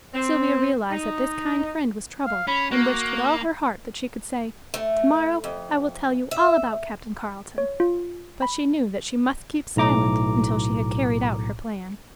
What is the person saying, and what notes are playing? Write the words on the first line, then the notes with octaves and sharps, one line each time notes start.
Sylvia realized that this kind friend was troubled, and wished with all her heart that she could say: "To-morrow I will tell you all about Captain Carleton." But she knew that she must keep silent until she had carried out her plan.
C4
D#4
F5
C#4 B5
A#3 F#4
A3
F2
E5
C#5
F4
B5
B1 A2 A#5 D6